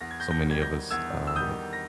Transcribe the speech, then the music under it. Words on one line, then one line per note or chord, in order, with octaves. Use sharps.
so many of us uh,
E2 A#6
G#6
G6 A#6
G6 A#6
D#3 G3 G#6
G6 A#6
E2 E6 G#6
E6
D#3 G3 D#6 G6
A#6